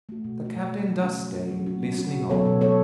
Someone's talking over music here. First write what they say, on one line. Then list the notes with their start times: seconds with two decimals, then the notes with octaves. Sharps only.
The Captain does stay, listening on.
0.09 A3 F#4
0.25 B2
0.41 A3 F#4
0.56 B2
0.72 A3 F#4
0.88 F#3
1.03 C#4 F#4
1.20 F#3
1.35 C#4 F#4
1.51 F#3
1.66 C#4 F#4
1.83 F#3
1.98 C#4 F#4
2.14 B2
2.30 F#3 B3 A4 C#5
2.46 B2
2.61 F#3 B3 A4 C#5